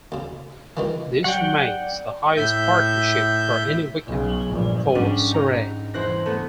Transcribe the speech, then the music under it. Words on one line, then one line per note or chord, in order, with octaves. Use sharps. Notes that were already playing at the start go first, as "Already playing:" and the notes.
This remains the highest partnership for any wicket for Surrey.
D2 C#3
C#2 D#3 E3
F#3 D5 F#5 G5 C#6
A2 E5 G6
B1 C#3
A#1 G2
G#2 G3 C#4 D4
D#4 A#5
E1 E4 C5 F#6 A#6
A3 B3